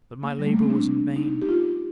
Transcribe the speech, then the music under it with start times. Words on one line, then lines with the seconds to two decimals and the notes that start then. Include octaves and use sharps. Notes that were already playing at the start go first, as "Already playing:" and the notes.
But my labor was in vain.
0.23 A#3
0.39 G3
0.46 A3
0.54 A#3
0.63 C4
0.70 D4
1.16 D#4
1.42 G4
1.49 F4